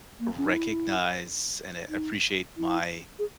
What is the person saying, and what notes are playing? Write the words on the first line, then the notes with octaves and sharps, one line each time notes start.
recognize and a appreciate my
A#3
C#4
D#4
E4
D#4
E4
G#4